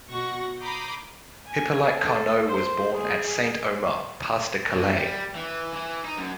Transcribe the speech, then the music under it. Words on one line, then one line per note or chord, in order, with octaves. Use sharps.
Hippolyte Carnot was born at Saint-Omer, Pas-de-Calais.
B2 F#4 F#5 C#6 A#6
A#5 B5 D6 D#6 G6 C7
G#5
A4
C5
G#4
B2
G3
E3
E3
D#4
F#2